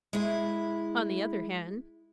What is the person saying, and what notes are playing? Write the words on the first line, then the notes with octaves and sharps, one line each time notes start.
On the other hand.
G#3 E4